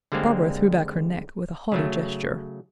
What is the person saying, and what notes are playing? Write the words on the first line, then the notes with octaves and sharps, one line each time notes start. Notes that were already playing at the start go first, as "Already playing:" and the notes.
Barbara threw back her neck with a haughty gesture.
D3 G3 G#3 A#3 C4
C#3 F#3 A3